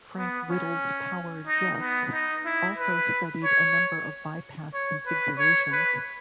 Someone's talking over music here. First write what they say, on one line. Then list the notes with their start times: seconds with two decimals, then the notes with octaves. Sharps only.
Frank Whittle's Power Jets also studied a number of bypass configurations.
0.18 B3
0.50 C#4
1.47 D#4
1.81 B3
2.12 D#4
2.46 E4
2.78 B4
3.44 C#5
4.74 C#5
5.06 B4
5.39 C#5
5.72 B4